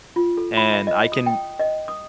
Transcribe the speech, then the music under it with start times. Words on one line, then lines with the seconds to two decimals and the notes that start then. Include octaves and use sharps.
And I can
0.16 F4
0.37 A4
0.57 B5
0.73 E5
0.87 D#5
1.12 D#6
1.26 G5
1.59 D#5
1.88 D#6